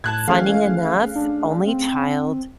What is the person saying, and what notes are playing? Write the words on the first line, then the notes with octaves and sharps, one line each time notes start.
Funny enough, only child,
A2 A5 F#6 G#6
E3 A3 C#4 G#4 F5
D4
C4